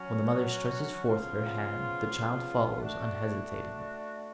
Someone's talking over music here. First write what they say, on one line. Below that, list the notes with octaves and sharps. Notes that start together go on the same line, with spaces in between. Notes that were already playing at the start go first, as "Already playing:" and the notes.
When the mother stretches forth her hand the child follows unhesitatingly.
Already playing: F#3 C#4 F#4
C#3 F3 B3 F4
A3 D4 F#4